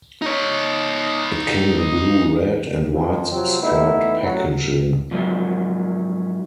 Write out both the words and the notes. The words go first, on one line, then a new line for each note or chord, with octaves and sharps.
It came in blue red and white striped packaging.
D#4 C#5
F2
C3 F3 F#3 C4
A3 B3 D#4 E4
A2 F#3
G#2 F3 F#3